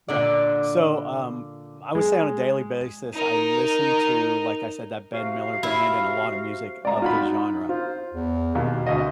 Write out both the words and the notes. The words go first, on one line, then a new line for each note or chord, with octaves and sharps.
Right. So, um, I would say on a daily basis, I listened to, like I said, The Ben Miller Band and a lotta music of his genre,
A#2 D3 D5
G#3
D#4 A#4
C3 F#4 F5
E4
G#3 D5 A#5
D#4 F4 F#4 B5
F4 C5
E2
D#2 B2
D2 D#5